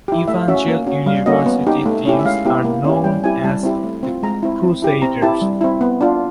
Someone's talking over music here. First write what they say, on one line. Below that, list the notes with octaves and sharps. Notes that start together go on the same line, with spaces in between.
Evangel University teams are known as the Crusaders.
E4 G4
A3 E5
F5
C#4 F#4 E5
A#3
C#4 F#4
G3 F5
A#3 C#4 F#4 D#5
B3
D#4 G4
A3
C#4 E4 G4
E5
G#3 F5
B3 E4 G4
A#3
C#4 E4 G4
G3 G5
C4 E4 G4 G#5
G3 A5
C4 E4 G4
A3
C4 F4
G#3 A#5
C4 E4
C4
E4 G4
C4 A#5
E4 G4 A5
G3
C4 E4
B3
D4 F4